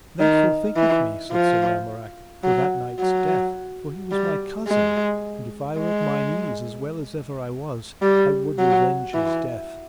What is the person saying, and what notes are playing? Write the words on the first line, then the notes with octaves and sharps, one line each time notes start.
That forthinketh me, said Sir Lamorak, for that knight's death, for he was my cousin; and if I were at mine ease as well as ever I was, I would revenge his death.
D#3
E3
F3
F#3
F#3
G3
G#3
G#3
G3
F#3
E3